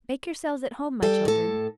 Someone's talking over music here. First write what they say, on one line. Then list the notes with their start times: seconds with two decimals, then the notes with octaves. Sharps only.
Make yourselves at home, my children.'
1.02 G3 A4 G5
1.25 A2 A4